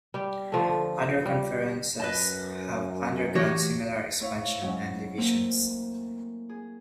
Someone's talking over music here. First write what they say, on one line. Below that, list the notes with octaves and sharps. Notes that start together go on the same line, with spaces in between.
Other conferences have undergone similar expansion and division.
G3 G4
D3 F3 A3
G3
F#2 B4 D#5 A5
E3 A3 F#4 G4 C#5 D#5
A3 C4 E4 C#5 F5
F#3 G#3 C#4
A3 A#3 C4 A#4
G#4